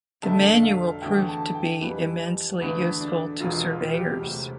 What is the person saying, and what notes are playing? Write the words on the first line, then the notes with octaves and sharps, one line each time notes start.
The Manual proved to be immensely useful to surveyors.
F1 F2 D3 A3 A5
F5
E2 D3 A3 G5
A5
G5
F2 E3 G3 B4
E2 D3 A3 B4
D4
E1 E2 B2 F4
F4
G4
E1 D2 C3